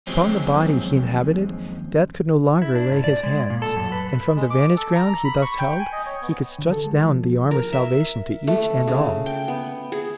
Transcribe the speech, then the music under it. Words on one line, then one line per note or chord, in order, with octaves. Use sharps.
Upon the body he inhabited, death could no longer lay his hands, and from the vantage-ground he thus held, he could stretch down the arm of salvation to each and all.
D#2 F3 F#3 G#3 C4 C#4
E4
D4
G#2
D5
G#3
A#2
A4
F#2
B4
G#3
D6
A4
A#5
B5
C#6
G5
G#5
D#5
C#5
B3
D3
A4
G#3
F3
A#4
E5
A3
C#3
G5
B3
G#4